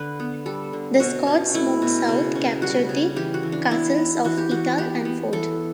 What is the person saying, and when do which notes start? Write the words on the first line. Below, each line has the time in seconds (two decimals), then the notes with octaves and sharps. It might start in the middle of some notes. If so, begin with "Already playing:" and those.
The Scots moved south, capturing the castles of Etal and Ford.
Already playing: D3 B4
0.20 B3
0.46 G3 A4
0.73 D3
1.00 B2 F#4
1.27 C#4
1.54 A3 E4
1.82 B2
2.09 C#3
2.35 C#4
2.62 G3 F#4
2.89 C#3
3.16 E3 G4
3.34 F#4
3.43 E3
3.52 D4
3.71 B3 E4
3.97 B3
4.24 E3 F#4
4.37 G4
4.51 E3 F#4
4.78 B3 G4
5.05 B3
5.33 E3 A4